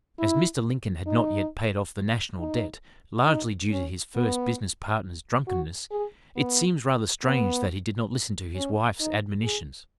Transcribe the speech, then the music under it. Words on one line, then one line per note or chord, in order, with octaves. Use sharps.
As Mr. Lincoln had not yet paid off "the national debt" largely due to his first business partner's drunkenness, it seems rather strange that he did not listen to his wife's admonitions.
E4
D#4
D#4
D#4
C#4
B3
F#4
G#4
B3
B3
C#4
D#4
G#4